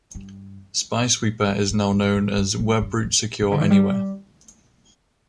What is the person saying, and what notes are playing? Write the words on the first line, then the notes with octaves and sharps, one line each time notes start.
Spy Sweeper is now known as Webroot Secure Anywhere.
G2
E2
G2
A2
A2
G2
G2
G2
E2
C3
D3
E3
G3